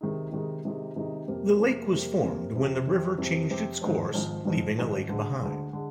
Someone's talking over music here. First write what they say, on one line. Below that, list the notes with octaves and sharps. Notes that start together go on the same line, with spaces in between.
The lake was formed when the river changed its course leaving a lake behind.
C3 D#3 G#3 D#4
C3 D#3 G#3 D#4
C3 D#3 G#3 D#4
C3 D#3 G#3 D#4
F2 C3 G3 A#3
F2 C3 G3 A#3
F2 C3 G3 A#3
F2 C3 G3 A#3
F2 C3 F3 C4 G4
F2 C3 F3 C4 G4
F2 C3 F3 C4 G4
F2 C3 F3 C4 G4
G#1 G#2 F3
G#1 G#2 F3
G#1 G#2 F3
G#1 G#2 F3
D2 D3 G#3
D2 D3 G#3
D3 G#3